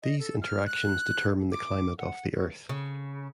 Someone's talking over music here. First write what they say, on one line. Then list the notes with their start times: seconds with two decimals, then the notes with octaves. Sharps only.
These interactions determine the climate of the Earth.
0.03 D#5
0.19 A4
0.42 F6
0.66 F#6
1.52 D6
1.98 F#5
2.35 F#4
2.69 C#3